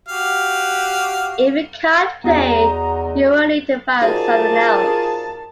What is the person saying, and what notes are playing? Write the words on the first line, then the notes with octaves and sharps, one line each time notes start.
If you can’t play, you will need to find something else.
F#4 G4 F5
E2 B3 D#4 F#4 A#5
D#4 F4 F#4 G#4 A#4 C5 D5 A5